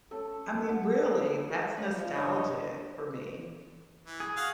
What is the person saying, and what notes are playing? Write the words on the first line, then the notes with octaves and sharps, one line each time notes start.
I mean, really, that's nostalgic for me.
A3 C#4 A4
F#4 F#5
A#3 F#4 B4 G5
A#3 C#4 B4
F3
G2 D4 C#5 D#5
E3
G#4
F#4 F5 F#5